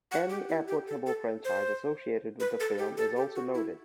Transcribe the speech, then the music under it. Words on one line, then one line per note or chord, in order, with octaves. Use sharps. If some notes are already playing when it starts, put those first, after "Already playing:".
Any applicable franchise associated with the film is also noted.
F#5
G4
E4
G4
A4
A4
C5
B4
A4
G4
A4
G4
F#4
E4